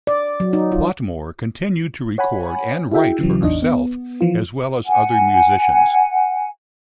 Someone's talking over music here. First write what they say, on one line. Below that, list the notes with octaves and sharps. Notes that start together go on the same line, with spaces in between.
Whatmore continued to record and write for herself as well as other musicians.
D5
F#3
D#4
F4
C#5 F#5 G#5 B5
E4 F#4 G#4 E5 G5
C#3 E3 F#3
A1 E2 D4 D#4 D#5
B3
E3 F3 F4
F#5 G#5